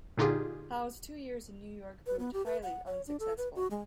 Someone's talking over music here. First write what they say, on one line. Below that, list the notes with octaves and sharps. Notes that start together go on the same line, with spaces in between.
Howe's two years in New York proved highly unsuccessful.
A#2 D3 D#4 F4 G4 G#4
B4
B3
G4
B4
F#5
C#5
D4
A4
B4
F#4
G#3